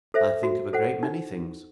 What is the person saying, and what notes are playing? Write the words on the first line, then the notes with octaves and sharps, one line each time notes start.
I think of a great many things.
A4 C5 E5
F#4
A4 C5 F#5
D#4